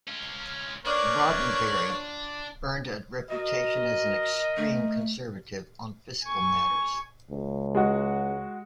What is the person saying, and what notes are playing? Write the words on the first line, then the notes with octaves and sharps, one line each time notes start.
Roddenbery earned a reputation as an extreme conservative on fiscal matters.
C#4 F4
A#3 C#4 D4 B4 C#5 D5
F4
F#4 A#4 D#5
A3
G#5 C#6
C#2
G#3 F#4